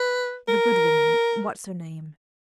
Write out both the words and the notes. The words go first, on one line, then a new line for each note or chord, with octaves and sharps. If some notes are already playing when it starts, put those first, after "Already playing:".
The good woman--what's her name?
Already playing: B4
A#4